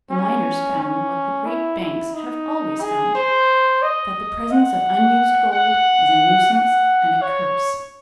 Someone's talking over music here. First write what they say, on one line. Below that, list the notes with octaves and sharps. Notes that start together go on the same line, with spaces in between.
The miners found what the great banks have always found, that the presence of unused gold is a nuisance and a curse.
C#4
C#4
E4
E4
D#4
G#4
C5
D#5
F#5
F#5
F#5
C#5